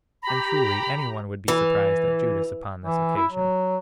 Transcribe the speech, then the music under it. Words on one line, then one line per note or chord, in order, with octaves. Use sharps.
And truly any one would be surprised at Judas upon this occasion.
G4 A#5 B5
E3
E3
E4
F#3